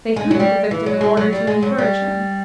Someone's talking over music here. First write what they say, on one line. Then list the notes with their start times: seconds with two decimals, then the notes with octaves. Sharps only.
They hoot at the victim in order to encourage him.
0.16 G#3
0.31 F#3
0.40 G3
0.71 E3
0.86 F#3
1.01 G#3
1.17 F#3
1.33 G3
1.47 G#3
1.63 F#3
1.78 G3